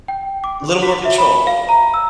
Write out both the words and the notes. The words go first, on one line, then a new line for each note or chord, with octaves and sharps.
Little more control.
G5
D6
F#4
E5
B5
F5
A#5
E6